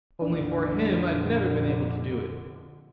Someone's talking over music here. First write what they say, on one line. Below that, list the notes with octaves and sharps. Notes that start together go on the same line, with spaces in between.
Only for him, I'd never been able to do it.
A#1 F2 D3 D4